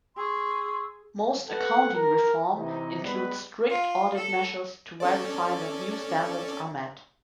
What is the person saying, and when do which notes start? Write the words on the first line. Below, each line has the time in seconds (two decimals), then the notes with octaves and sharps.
Most accounting reform includes strict audit measures to verify that new standards are met.
0.17 G#4 C6 C#6 E6
1.48 A4 B4 F#5
1.95 A#4
2.56 C3 E3 D#4
3.03 G3 G#3 B3 B4
3.70 F4
4.19 A4
5.00 C#4 A4 D5